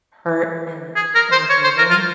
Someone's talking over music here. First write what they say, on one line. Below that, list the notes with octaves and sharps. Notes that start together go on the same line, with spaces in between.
hurt and and grieving,
G#4
A#4
C5
C#5
C5
A#4
F4